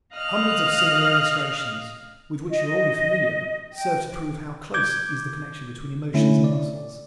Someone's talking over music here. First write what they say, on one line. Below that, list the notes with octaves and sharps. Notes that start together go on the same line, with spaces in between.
Hundreds of similar illustrations with which you are already familiar serve to prove how close is the connection between emotions and muscles.
D#5 F5 F6 F#6
D#5
G5
D6 G6 G#6
D3 A3 C#4 E4
D5